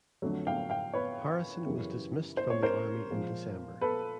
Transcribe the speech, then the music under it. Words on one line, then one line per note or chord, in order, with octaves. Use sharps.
Harrison was dismissed from the Army in December.
F2 D3 F#3 A3
F5 G5
F5 G5
B4 C#5
F#2 C#3 E3 G3
C5
C#5
A#4 C5
A#2 F3 G#3
A4 B4